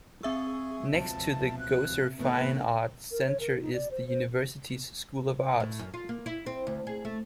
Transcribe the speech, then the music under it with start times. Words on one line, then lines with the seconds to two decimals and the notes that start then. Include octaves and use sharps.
Next to the Gosser Fine Arts Center is the University's School of Art.
0.23 C4 G#4 E5 C#6 E6
0.93 C#2 B2 F3 A5
1.59 F#6
2.19 A2 D#3 A3 B3 B4
3.11 A#4
3.26 C#5
3.40 A#4
3.61 D#4
3.74 D5
3.91 C5
4.08 C5
5.60 A2
5.79 F#2
5.94 F4
6.09 A#3
6.26 E4
6.46 C4
6.67 D2
6.87 G#4
7.05 A3